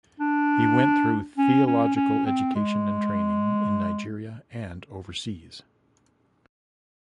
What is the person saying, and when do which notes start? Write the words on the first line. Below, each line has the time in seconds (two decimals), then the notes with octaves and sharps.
He went through theological education and training in Nigeria and overseas.
0.20 D4
1.38 C#4
1.67 C#4
1.96 C#4
2.26 C4
2.55 G#3